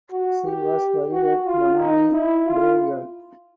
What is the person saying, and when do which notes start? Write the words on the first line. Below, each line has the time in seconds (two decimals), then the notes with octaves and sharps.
She was buried at Banani Graveyard.
0.11 F#4
0.45 G4
1.12 F#4
1.46 F4
1.79 D#4
2.13 E4
2.47 F4